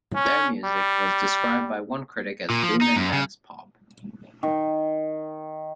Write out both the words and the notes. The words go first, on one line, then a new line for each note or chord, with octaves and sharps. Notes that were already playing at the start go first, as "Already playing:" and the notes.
Their music was described by one critic as doom-and-dance-pop.
C#4
G3
A#2
F3
D#4
F#2
C#3
D#3